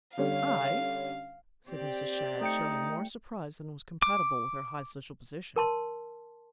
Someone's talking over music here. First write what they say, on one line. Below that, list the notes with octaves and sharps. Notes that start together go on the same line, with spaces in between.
"I?" said Mrs. Shadd, showing more surprise than was compatible with her high social position.
D3 G3 C#4 F5
C4 G4 D5
A3 D#4 G5 C#7
D6
A#4 A5 C6